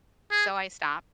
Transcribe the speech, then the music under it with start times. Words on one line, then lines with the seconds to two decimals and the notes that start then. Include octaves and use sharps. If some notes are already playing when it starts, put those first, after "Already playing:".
So I stopped
0.31 G#4